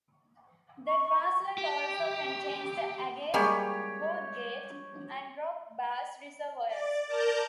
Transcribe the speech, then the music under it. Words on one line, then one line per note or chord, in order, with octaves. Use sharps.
The grassland also contains the Agate, Bordgate, and Rock Bass reservoirs.
C#6
G4
G3 G#3 A#3 G4 C#5
D5
A#4 D5 A5 A#5 G6